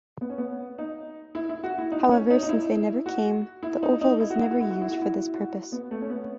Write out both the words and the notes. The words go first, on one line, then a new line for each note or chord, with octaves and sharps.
However, since they never came, The Oval was never used for this purpose.
B3
C#4
B3
D#4
E4
E4
F#4
E4
D#4
C#4
D#4
D#4
E4
F#4
E4
D#4
D#4
E4
F#4
E4
F#4
E4
F#4
E4
F#4
E4
F#4
B3
A3
C#4
B3